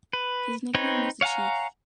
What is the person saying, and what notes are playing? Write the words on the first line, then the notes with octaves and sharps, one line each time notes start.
His nickname was "the Chief".
B4
C4 D#4 B4 C#5
C#5 F5 F#5 G#5 A#5